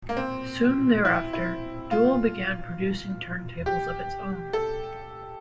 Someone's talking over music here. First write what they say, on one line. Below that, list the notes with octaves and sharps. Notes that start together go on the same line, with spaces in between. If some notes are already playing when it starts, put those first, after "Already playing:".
Soon thereafter, Dual began producing turntables of its own.
A#3
C4
E4
E4
F4
G4
A4